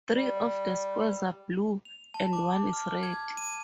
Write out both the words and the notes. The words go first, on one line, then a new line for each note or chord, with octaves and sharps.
Three of the squares are blue and one is red.
G3
F7
A5
D6
F6
G#6
D#7